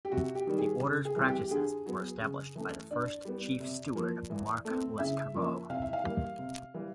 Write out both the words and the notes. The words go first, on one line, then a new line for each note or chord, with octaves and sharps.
The Order's practices were established by the first Chief Steward Marc Lescarbot.
G4
C3 F#4
G4
D#3 G3
G#4
C#3
G#4
E3 G3 C4
G4
D3 G#4
F#3 B3
C#3
E3 A3 C#4
D3 D5
G3 B3
C3
F3 A#3
E3
A3 C4
C#3 E5
F3 A#3 C#4
C3 F5
E5
F5
E3 G3 A#3
C3
E3 G3